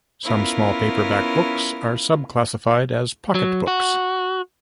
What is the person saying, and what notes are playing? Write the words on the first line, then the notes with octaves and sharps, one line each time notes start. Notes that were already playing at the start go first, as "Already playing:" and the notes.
Some small paperback books are sub-classified as pocketbooks.
B3 C#4 E4 F4 A#4
F#3
F#4